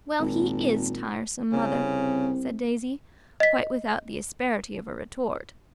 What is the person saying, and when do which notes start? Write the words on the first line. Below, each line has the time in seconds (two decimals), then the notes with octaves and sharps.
"Well, he IS tiresome, Mother," said Daisy, quite without the asperity of a retort.
0.20 G#1 A#2
1.52 C2 C#3 C4
3.40 D#5 B6